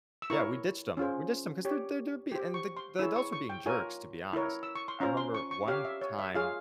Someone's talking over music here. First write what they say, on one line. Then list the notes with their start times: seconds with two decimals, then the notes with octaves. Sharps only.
Yeah, we ditched them. We ditched them 'cause they're they're they're be and the the adults were being jerks, to be honest. I remember one time,
0.22 E6
0.30 E4 A#4 C#5 C#6
0.97 C#4 F4 G#4 C5
1.65 G4 C#5
2.32 G4 C5
2.54 C#6
2.77 C6
2.99 E4 G#4 C#5 E6
3.16 C#6
3.33 C#6
3.50 G5
3.66 F4 A#4 C#5 G#5
4.33 E4 A#4 C#5
4.63 E6
4.75 C#6
4.88 C6
5.00 C#4 F4 C5 A#5
5.17 C6
5.34 C#6
5.51 C#6
5.68 G4 C#5 F5
5.85 E5
6.01 C#5
6.19 E5
6.35 F4 G#4 C#5 F5